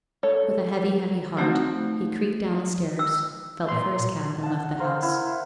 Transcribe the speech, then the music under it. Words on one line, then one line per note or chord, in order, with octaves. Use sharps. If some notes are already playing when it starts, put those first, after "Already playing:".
With a heavy, heavy heart he creaked down the stairs, felt for his cap, and left the house.
A3 A4 C#5
F3 A3 C4 D#4 F#4
E6
A#2 C6
F#5 A5
A#4 C5 F5 F#5
E4